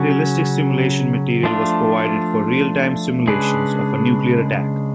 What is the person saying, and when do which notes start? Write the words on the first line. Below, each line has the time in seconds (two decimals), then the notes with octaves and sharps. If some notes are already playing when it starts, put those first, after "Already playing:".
Realistic simulation material was provided for realtime simulations of a nuclear attack.
Already playing: C#3 F#3 C#4
1.44 F3 A3 D4 F4
3.27 C#3 G#3 D4 G#4 B4